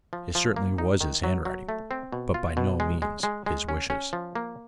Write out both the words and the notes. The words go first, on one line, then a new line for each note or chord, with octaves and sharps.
It certainly was his handwriting, but by no means his wishes.
F3
F3
A#3
D#4
D#3
F#3
F#3
A3
C4
B2
F4
B2
G#3
G#3
G#3
G#3
C#4
C#4
F3
A#3